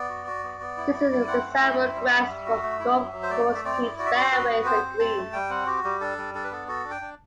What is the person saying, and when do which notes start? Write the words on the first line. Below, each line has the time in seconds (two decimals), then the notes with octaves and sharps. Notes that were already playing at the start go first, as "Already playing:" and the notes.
This is a desirable grass for golf course tees, fairways and greens.
Already playing: B3 D5
0.09 F#4
0.27 F#4
0.44 B3
0.61 B3
0.77 E4
0.94 E4
1.11 E4
1.28 C4 F#5
1.44 A3
1.61 E4 E5
1.79 C4
1.95 G3
2.12 G3
2.29 G3
2.46 F#4
2.63 A3
2.80 E4
2.96 F#3
3.13 F#3
3.23 C5
3.30 A3 D5
3.47 A3
3.55 E5
3.65 C4 D5
3.81 E4
3.98 F#4 D5
4.06 E5
4.14 F#4 D5
4.23 C5
4.32 F#4 B4
4.48 B3
4.65 C4 C5
4.82 C4
4.99 C4 A5
5.17 A3
5.33 G3 G5
5.49 C4 F#5
5.66 F#4 G4
5.84 G3 G4
6.00 D4 A4
6.18 G3
6.34 D4 A4
6.44 B4
6.51 B3 A4
6.68 F#4 A4
6.85 D4
6.90 G5
7.01 D4